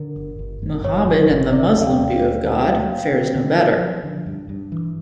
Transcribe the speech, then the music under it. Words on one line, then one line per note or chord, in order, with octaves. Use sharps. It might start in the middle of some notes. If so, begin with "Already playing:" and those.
Muhammad, and the Muslim view of God, fares no better.
Already playing: D3 A#4
G1
G1
G1
G1 C#5
G1
G1
D3 D5
D2 F5
G5
D2
C#4 D5
D2
G5
F5
G3 G5
A#3 G5
D3
D3
F3
F3
D3
G2
G2
E3